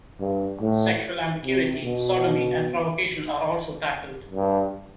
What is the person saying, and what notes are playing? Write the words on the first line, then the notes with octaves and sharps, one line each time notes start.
Sexual ambiguity, sodomy and provocation are also tackled.
G2
A2
C3
B2
G2